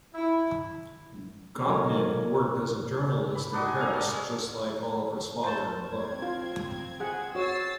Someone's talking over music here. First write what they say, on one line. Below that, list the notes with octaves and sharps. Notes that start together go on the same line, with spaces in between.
Gopnik worked as a journalist in Paris just like Oliver's father in the book.
E4
F#3 A#3 D#4 A4 A#4 C#5
B5
D4 D#4 F#4 D#5
G#5
D#5 F5 A#5
A4 C#5 D5 C6
G#4 C#5
C5 A5
C4 G#6
F4
G#4 F#5
F#4 C#5 E6 A6 C7